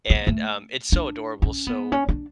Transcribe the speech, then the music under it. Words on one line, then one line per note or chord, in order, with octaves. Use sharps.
and, um, it's so adorable. So,
B3
A3
D4
C#4
B3
C#4
D4